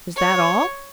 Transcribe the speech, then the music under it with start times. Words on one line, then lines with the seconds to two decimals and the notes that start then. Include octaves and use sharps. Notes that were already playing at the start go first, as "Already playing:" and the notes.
"Is that all?"
0.16 C#5